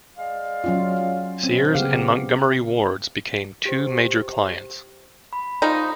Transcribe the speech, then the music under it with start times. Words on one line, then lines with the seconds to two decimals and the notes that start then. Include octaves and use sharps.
Sears and Montgomery Wards became two major clients.
0.16 G#3 D5 F5
0.64 F#3 C#4 F4
1.44 B2 C4 C#4
1.74 C#3 B3 G4 F5
3.65 G4 C5
5.33 B5
5.62 F3 D#4